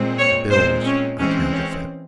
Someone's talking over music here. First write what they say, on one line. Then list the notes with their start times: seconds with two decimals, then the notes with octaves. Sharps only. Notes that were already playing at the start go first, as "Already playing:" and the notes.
"The bills are counterfeit."
Already playing: A#2 G#3 C4
0.18 C#5
0.50 A#2 G#3 C4 C5
0.85 C#4
1.18 E3 G#3 C4 C#4
1.52 C#4